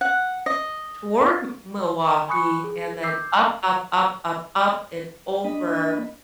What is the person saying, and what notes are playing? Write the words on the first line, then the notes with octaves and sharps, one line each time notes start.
toward M Milwaukee and then up, up, up, up, up and over
F#5
D#5
G#5 B5 C#6 D#6 F#6 C#7
G#4
D6 E6 G6 C7
A#3 D4 D#5 B5